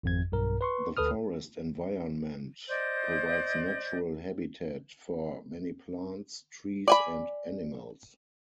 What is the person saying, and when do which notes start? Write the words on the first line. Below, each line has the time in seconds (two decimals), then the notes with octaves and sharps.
The forest environment provides natural habitat for many plants, trees, and animals.
0.03 G#1 F2 G#6
0.32 B1 G2 A#4
0.61 B4 C6 C#6
0.97 D2 A4 B4 D#6 F6
2.68 C5 D5 D#5 G6
6.88 D5 G#5 B5